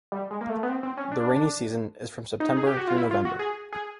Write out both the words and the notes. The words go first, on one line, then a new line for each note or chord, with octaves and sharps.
The rainy season is from September through November.
G3
G#3
A#3
A3
B3
C4
C4
C#4
D4
D#4
G#4
G4
F#4
F4
E4
F4
F#4
G#4
G#4